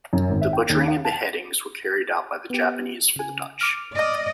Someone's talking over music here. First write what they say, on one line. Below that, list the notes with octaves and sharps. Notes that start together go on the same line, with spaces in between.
The butchering and beheadings were carried out by the Japanese for the Dutch.
F#2
G#1
E5
G5
D#2
F5
A5
B3 G4
C#3 G#5
D6 F6
D5 D#5